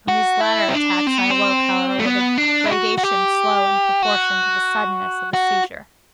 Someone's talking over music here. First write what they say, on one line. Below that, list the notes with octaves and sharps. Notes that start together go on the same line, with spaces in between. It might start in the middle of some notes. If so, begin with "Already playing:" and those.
From these latter attacks I awoke, however, with a gradation slow in proportion to the suddenness of the seizure.
F#4
E4
C4
D4
C4
B3
C4
A3
B3
D4
E4
F#4
F#4
G4
F#4
F#4